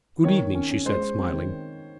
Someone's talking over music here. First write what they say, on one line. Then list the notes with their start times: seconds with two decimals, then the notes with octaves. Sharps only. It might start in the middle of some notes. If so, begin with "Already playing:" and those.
"Good-evening," she said, smiling.
0.24 D#3 C#5
0.40 D#3
0.55 C#4
0.71 C#4
0.85 G#3 C5
1.01 G#3
1.17 C4
1.33 D#3